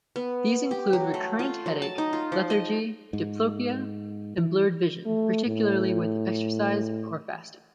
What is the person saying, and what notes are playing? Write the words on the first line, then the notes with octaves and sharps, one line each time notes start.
These include recurrent headache, lethargy, diplopia, and blurred vision, particularly with exercise or fasting.
B3
G4
F#3
A3
F4
F#3
A5
D#4
F4
F3
D#5
G#2
E3
A3
A2